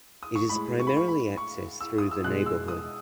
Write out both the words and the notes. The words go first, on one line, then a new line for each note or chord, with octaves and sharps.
It is primarily accessed through the neighborhood.
D#6
C#6
A2 G#3 B5
C#6
B5
C#6
B5
C#6
E6
D#6
E6
B2 G#3 F#6
E6
D#6